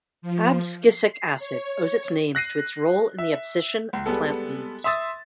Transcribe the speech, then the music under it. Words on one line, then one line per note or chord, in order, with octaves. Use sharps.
Abscisic acid owes its names to its role in the abscission of plant leaves.
F3
C7
C#5
F#6 A#6 C7 D#7
E5
C#2
G3 G#3 B3 A4
E5 C6 D#6 E6 A6